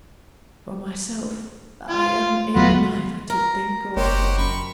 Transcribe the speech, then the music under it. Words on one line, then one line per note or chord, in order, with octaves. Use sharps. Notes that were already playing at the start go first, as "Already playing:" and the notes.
For myself, I am able neither to think or feel.
F4
D#1 F#3 B3 F4 F#4 B4
A#4
F#1 A#3 F#4 G4 C5 C#5 D#5
F#2 B5 C#6